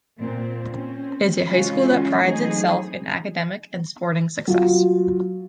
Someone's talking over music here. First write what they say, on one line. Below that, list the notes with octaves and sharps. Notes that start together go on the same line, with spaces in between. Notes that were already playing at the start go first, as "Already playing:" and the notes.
It is a high school that prides itself in Academic and Sporting success.
A#2 C4
C4 C#4
C#3 E3 G#3 C#4 F4 F#4
E3 F#3 A3 C4 D#4 G#4
F#3 F4